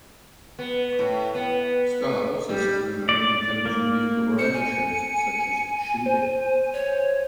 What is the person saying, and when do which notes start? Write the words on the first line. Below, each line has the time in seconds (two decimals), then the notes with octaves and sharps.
Starr also sang on American television musical variety shows such as Shindig!
0.59 B3
0.99 A2
1.35 B3
2.49 G3
3.09 D5
3.66 A#3
4.38 C5 C#7
4.53 G#5
6.06 C5
6.73 C#5